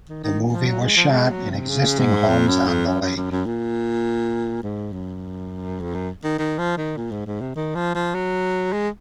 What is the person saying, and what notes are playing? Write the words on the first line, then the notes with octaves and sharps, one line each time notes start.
The movie was shot in existing homes on the lake.
D#3
D#3
F3
F#3
G#3
F3
G#3
F#3
C3
C#3
G#2
F2
F#2
F2
F#2
F#2
F#2
F#2
A#2
G#2
F#2
F2
F#2
D#3
D#3
F3
D#3
A#2
G#2
G#2
C3
D#3
F3
F3
F#3
G#3